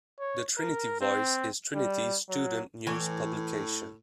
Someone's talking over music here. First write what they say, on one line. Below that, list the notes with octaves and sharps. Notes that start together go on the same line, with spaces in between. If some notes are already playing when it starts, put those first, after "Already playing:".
The Trinity Voice is Trinity's student news publication.
C#5
A#4
C4
G3
F#3
A2 E3 C#5